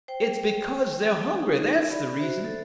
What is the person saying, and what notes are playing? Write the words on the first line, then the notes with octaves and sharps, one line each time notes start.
It's because they're hungry; that's the reason.
C5 G5
D#4
G4 D5 B5
F#4 C5 E5
A4